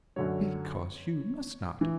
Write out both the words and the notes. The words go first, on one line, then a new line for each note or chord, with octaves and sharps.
'Because you must not.
F#2 D3 F#3 C#5
E3